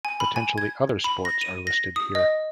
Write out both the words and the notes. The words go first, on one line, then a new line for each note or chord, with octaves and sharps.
Potentially other sports are listed here.
G#5
B5
G#5
G#6
B5
A#6
D#7
A#6
D#6
D#5